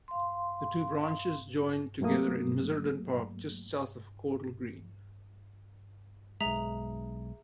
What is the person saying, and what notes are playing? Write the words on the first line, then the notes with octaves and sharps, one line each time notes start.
The two branches join together in Miserden Park just south of Caudle Green.
F5 C6
G2 F#3 A3 A#3 D#6
B1 G#3 G#4 E5 A#5